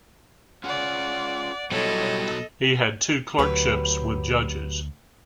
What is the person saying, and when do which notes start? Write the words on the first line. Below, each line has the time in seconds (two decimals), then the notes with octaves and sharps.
He had two clerkships with judges.
0.64 C#4 F4 G#4 D5 F#5
1.72 B2 F#3 G3 E4 A4 C#5 D#5
3.38 D2 F#3 G4 B4